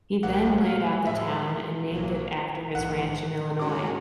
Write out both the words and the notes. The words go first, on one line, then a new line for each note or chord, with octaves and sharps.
He then laid out the town and named it after his ranch in Illinois.
C2 A#2 F3 A#3 F#5
G5
F#5
F5
A2 F3 G#3 E5
B1 A2 F#3 A#3
A#1 G#2 E3 F#5
G#2 D#3 G#3 C#4 F#4 D6